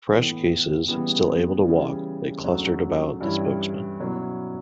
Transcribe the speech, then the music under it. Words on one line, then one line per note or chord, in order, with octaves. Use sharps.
Fresh cases, still able to walk, they clustered about the spokesman.
A2 E3 B3
C#3 E3 G3 B3
C#3 E3 G3
D2 C#3 F#3
G2 E3 G3 C#4 E4
B2 F#3 C#4 E4